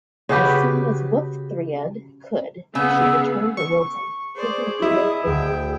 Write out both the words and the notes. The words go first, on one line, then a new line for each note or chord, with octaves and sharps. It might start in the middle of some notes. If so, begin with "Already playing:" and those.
As soon as Wulfthryth could, she returned to Wilton, taking Edith with her.
C#3 F#4 G4 B4
C#3 B3 G#4 E6
C#6
G#4 C5 D5
E4 D#5
D2 G5